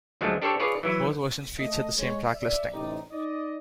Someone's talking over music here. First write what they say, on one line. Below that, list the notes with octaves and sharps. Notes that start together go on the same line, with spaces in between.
Both versions featured the same track listing.
D2 F3 F#3 G#3 A3
D4 G4 A4 C5 C#5
F4 G#4 B4 C#5 D5
E3 F#3 E4
A3 D#5
G#3 C#5
D5 E5
A1 C3 D#4 D5
D#4 D5 D#5